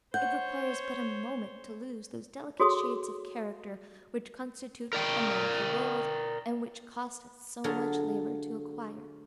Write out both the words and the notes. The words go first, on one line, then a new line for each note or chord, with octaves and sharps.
It requires but a moment to lose those delicate shades of character which constitute a man of the world, and which cost us so much labor to acquire.
C5 C#5 F#5 G6
F#4 G#4 A4 C#5 C6 D#6
A#4 D5 G5
D3 F#3 F4 G#4 A5